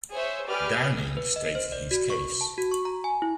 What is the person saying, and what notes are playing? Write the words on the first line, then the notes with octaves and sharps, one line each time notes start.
Downing stated his case.
G#4 C5 C#5 E5
G4 G#4 B4 D5 F6
B4
D#5
C5
D5
F#4
C#6
A5
F#4
C#6
A#5
G#5
E4